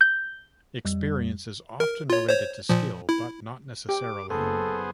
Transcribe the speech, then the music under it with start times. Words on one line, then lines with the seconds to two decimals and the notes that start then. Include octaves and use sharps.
Experience is often related to skill, but not necessarily.
0.01 G6
0.85 F2 G3
1.80 A#4
2.10 F4 C#5
2.29 C5 C#5
2.69 A#2 F3
3.09 E4
3.89 G4 D6
4.30 F#1 B3 G#4 A4 C5